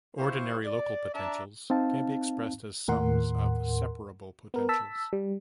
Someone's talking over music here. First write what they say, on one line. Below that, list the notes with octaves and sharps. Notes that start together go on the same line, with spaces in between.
Ordinary local potentials can be expressed as sums of separable potentials.
E4 F4 G4 C5 F5 C#6
D5
D4 D5 E5 A5 A#5
C4 D#4 F5 A5
D#2 A2 A#4 F#5 C6
B3 A#4
A5 E6 B6
G3